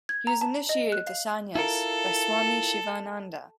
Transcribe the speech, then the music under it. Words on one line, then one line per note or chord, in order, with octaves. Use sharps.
He was initiated to sanyas by Swami Shivananda.
G#6
A#5
A5
D#5
F#6
F5
E4 F4 A4 A#4